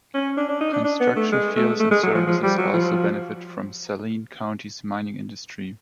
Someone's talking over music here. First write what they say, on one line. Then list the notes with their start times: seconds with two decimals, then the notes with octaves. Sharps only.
Construction fields and services also benefit from Saline County's mining industry.
0.14 C#4
0.36 D4
0.49 D4
0.60 D#4
0.73 D4
0.84 D4
1.00 B3
1.16 A3
1.32 G#3
1.56 A3
1.79 A3
1.91 G#3
2.03 F#3
2.14 F3
2.27 F3
2.43 G3
2.58 F#3
2.74 F3